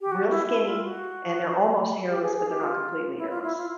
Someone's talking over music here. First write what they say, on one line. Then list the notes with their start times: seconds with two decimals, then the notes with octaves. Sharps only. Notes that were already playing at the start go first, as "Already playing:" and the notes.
real skinny, and they're almost hairless, but they're not completely hairless.
0.01 G4
0.12 F#4
0.30 E4
0.48 E4
0.66 F4
0.84 F#4
2.09 G4
2.23 G#4
2.36 G#4
2.50 G4
2.63 F4
3.17 E4
3.30 F4
3.43 E4
3.57 F4